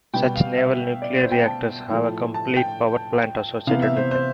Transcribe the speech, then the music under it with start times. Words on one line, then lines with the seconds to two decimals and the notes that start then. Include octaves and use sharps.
Such Naval nuclear reactors have a complete power plant associated with them.
0.14 B2 G3 B3 G5
0.36 F5
0.58 E5
1.02 D5
1.16 C5
1.32 G5
1.46 A5
1.90 A2 F3 A3
2.34 A5
2.57 G5
3.67 C3 E3 B3 F5
3.82 E5
3.97 C5
4.11 C5